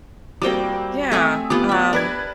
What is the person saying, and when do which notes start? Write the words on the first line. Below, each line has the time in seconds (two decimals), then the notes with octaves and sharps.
Yeah, um
0.42 G3 A#3 C4 F#4 G5 D6
1.12 A3 C4 E5 G#5 D#6
1.50 B3 F4 G4 D6
1.69 D5 E5
1.93 D4 A#4 B4 G#6